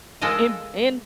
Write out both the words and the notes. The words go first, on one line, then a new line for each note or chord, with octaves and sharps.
In in
G#3 A4 A#4 D#5 F5